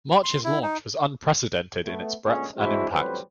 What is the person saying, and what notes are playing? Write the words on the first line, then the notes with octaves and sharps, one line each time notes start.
March's launch was unprecedented in its breadth and impact.
C6
E4
D#4
A3 B3
D2 A#2 G#3 B3 C#4 G#4
E3 G#3 C4 D4 E4 F#4
A1 F2 F#3 G3 B4 C5